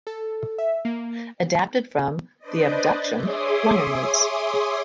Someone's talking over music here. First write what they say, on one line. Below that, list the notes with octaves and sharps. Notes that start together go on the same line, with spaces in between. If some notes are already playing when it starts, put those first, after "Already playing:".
Adapted from the "Abduction" liner notes.
A4
E5
A#3
D4 B4 C5 D5 D#5
G#4 C#5 E5 C6 D6 D#6